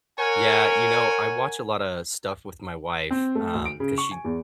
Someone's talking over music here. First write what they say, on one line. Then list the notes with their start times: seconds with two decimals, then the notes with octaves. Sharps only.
Yeah, you know, I watch a lotta stuff with my wife, um, 'cause she,
0.19 A#4 C#5 F#5 G#5
3.11 C4
3.35 A3
3.54 D2
3.65 D7
3.80 C#3
3.98 C#6
4.11 G#5
4.25 E2